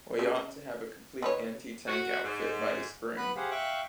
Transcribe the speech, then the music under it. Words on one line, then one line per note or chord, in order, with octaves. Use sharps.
We ought to have a complete anti-tank outfit by the spring.
C#3
D#3 B4 C#5
F#4
G#2
B3 B4 B5 F#6
G4 G#4 C5 F5 F#5
E5 F5 G5 C#6 F#6